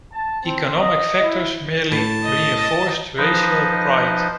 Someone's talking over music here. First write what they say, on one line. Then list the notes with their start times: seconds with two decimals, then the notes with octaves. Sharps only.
Economic factors merely reinforced racial pride.
0.12 A5
0.45 C4
0.80 D#5
1.22 E4
1.92 A2 A5
2.24 D#5
3.18 F3 D#4 B4 C5 D#5